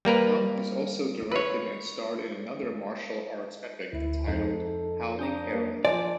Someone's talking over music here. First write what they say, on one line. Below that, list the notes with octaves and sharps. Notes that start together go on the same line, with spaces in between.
Hung has also directed and starred in another martial arts epic entitled "Howling Arrow".
G3 A#3 A#4 B4
B4 C#5
D2 E4
F2 D#4 A4
D4 A#5 D#6 G6
A#3
F3 C5 D5 G#5 A5